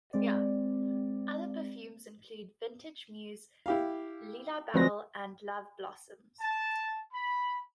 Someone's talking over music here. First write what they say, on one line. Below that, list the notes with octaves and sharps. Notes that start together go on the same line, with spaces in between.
Other perfumes include Vintage Muse, Lila Belle and Love Blossoms.
G#3 C4 D5
E4 G4 F5
D2 F3 F#3 C4 B4 A#6
A5
B5